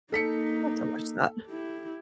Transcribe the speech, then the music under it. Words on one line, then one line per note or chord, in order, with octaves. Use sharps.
I'll have to watch that.
A#3 D#4 A4 B6 C#7
E4 G4